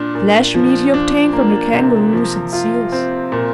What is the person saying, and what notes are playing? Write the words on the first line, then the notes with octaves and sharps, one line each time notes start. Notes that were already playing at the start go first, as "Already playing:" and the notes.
Flesh meat he obtained from the kangaroos and seals.
Already playing: A#2 D4
A#2
F3
D4
A#3
C3
F3
F4
C4
A#2